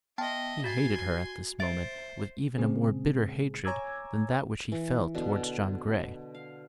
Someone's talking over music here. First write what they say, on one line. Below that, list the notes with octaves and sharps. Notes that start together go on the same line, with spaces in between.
He hated her at this moment with even a more bitter hatred than that which he felt towards John Grey.
B3 D#5 E5 G5 A5
F#4 G#5 C6 A6
C5 E5 A6 D7
A#2 C#3 G#3 C4 G#4
C#5 G#5 A#5 D6 E6 G#6
E3
B2 D3
F5